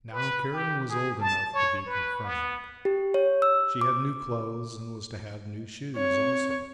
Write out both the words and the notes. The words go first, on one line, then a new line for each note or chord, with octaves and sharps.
Now Karen was old enough to be confirmed; she had new clothes and was to have new shoes also.
B4
G4
G#4
A5
C#5
B4
B3
G4
C#5
E6
D6
C4 C#5